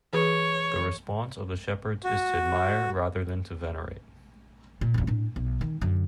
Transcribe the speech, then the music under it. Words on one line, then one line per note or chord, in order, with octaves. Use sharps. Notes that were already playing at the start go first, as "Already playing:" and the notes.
The response of the shepherds is to admire rather than to venerate.
E3 G#4 C#5
F#4
A#2
D#1 B1
A2 D4
B1
D#3
F#2 D3